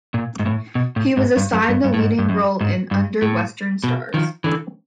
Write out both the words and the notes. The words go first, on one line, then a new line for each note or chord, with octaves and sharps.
He was assigned the leading role in "Under Western Stars".
A#2
G#2
A2
B2
A2
G#2
G2
F#2
G2
G2
A2
G#2
G2
F#2
G#2
G2
A2
B2
D#3 F3
D3 E3